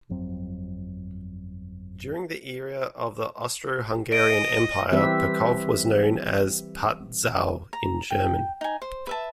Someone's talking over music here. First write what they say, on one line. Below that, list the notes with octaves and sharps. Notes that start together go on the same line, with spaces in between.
During the era of the Austro-Hungarian Empire Pacov was known as Patzau in German.
G1 F2 F#3 C4
D#5 D7
E3 G3 C4 G4 B4 E5
A#5
G5
D#4 G#5
C5
B4 E5 A5